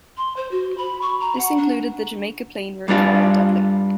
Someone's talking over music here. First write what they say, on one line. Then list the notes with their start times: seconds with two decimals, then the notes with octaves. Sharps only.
This included the Jamaica Plain route via Dudley.
0.17 C6
0.37 C5
0.51 F#4
0.78 B5
1.01 C#6
1.21 A#5
1.38 F#5
1.57 D4
2.88 G2 G3 D4 F4